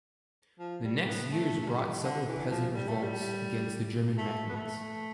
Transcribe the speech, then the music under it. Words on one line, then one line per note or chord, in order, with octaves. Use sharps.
The next years brought several peasant revolts against the German magnates.
F3
G3
B3
A3
A3
G3
D3
E3
F3
G3
A3
G3
A3
B3
A3